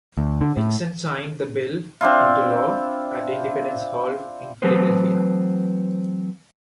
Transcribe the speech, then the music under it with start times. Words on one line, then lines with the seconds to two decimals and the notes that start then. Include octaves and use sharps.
Nixon signed the bill into law at Independence Hall in Philadelphia.
0.17 D2
0.41 D3
0.57 A2
2.01 C4 D4 E4 F4
4.62 E3 F#3 A3 C4 B4 C5